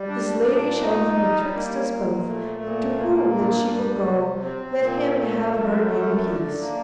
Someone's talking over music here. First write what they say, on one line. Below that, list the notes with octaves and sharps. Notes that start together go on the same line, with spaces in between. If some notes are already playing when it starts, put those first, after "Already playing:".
This lady shall be betwixt us both, and to whom that she will go, let him have her in peace.
Already playing: G3
D4
A#2
D#4
G3
A#3
A#2
A3
A#2
A#3
G2
G3
C3
C4
A#2
A3
F#2
A3
D3
A#3